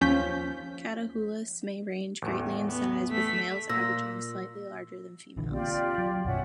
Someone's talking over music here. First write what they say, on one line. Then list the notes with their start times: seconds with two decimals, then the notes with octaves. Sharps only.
Catahoulas may range greatly in size with males averaging slightly larger than females.
0.01 D#2 F3 C#4 G6 B6
2.22 A1 E2
2.69 B3
3.11 A3 B6
3.69 A#2 E6 A#6
5.37 A#1 D3 E3
5.52 A#3 C4 F4 G4 D5
5.98 F#3
6.25 B1 F#2 B2 C#4 E5 F#5